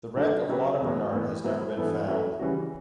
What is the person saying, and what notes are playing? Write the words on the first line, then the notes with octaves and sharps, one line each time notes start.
The wreck of "Lotta Bernard" has never been found.
D3 F#3 A3 D4
C#3 F#3 C#4 G4 B4
E2 B2 F#3
A2 E3 B3
F#3 B3 E4
G2 E3 B3 E4 A4
F#3 A3 C#4 E4 B4
C#3 E3 G3 C#4 F#4